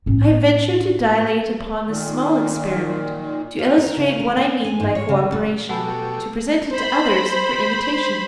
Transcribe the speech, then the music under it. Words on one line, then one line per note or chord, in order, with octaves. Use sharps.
I have ventured to dilate upon the small experiment to illustrate what I mean by co-operation to present it to others for imitation.
A2 C#4
A#2 D#3
F4
A#4
C#3
A#4
C#4
G#5
G#2
C#5
C#3
A#2
B2 A3 F#4 G4 A4 F#5 G#5 B5
C5 B5